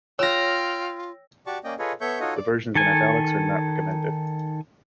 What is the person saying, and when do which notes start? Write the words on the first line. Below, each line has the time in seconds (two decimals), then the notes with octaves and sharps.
The versions in italics are not recommended.
0.19 F4 C#5 G5 E6 F6 A#6
1.47 F#4 G4 D5 A5 C#6
1.64 A#3 C#4 D5 D#5 G5
1.79 F4 G#4 A4 B4 C#5 D#5
2.01 B3 A4 C#5 E5 C#6 G6
2.20 D#4 F4 F#4 A4 C#5 D#5
2.36 D5
2.75 D#3 A4 G#5